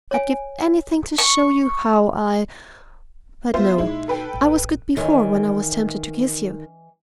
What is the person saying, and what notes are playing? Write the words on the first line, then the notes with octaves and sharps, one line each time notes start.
I'd give anything to show you how I--but no. I was good before, when I was tempted to kiss you.
C#5 G#5
C#6
B3 F4 C5 E5
A#1 G#3 D#4 E4
A4 B4 G5
A1
D#3 E3 C#5 D#5